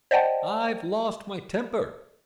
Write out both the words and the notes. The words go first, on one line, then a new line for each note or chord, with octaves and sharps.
I've lost my temper.
C5 D5 D#5 F#5 G5 A5